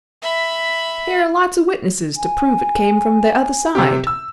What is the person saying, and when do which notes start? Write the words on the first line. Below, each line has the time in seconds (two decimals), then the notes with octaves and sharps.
"Here are lots of witnesses to prove it came from the other side."
0.22 E5 B5
2.17 G#5
3.75 C3 G4
4.07 E6